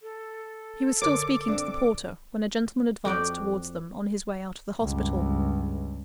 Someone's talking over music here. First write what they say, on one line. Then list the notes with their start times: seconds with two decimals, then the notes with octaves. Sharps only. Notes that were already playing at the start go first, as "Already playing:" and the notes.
He was still speaking to the porter, when a gentleman advanced towards them, on his way out of the hospital.
0.02 A4
1.02 D3 G#4 A#4 C#5 D6
1.48 C4 D4 D5
3.05 F2 F#4 D5 G5
4.82 C#2 G2